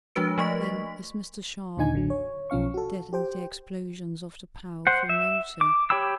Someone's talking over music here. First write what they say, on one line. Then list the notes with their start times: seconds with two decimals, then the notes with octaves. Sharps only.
Then, as Mr. Sharp deadened the explosions of the powerful motor.
0.15 F3 G#3 D4 F#4 B4 D7
0.38 F3 A3 D#5 C#6 B6
1.77 D#2 A#2 D3 D#4 G#5 G#6
1.93 A1 D3 F#3
2.10 C#5
2.50 B1 F3 C#4 F5 C#6
2.74 F#4 A4
3.13 G4 C5 G5
4.87 C5 F#5
5.09 E5
5.61 D6
5.90 G4 C#5 G5 B5 E6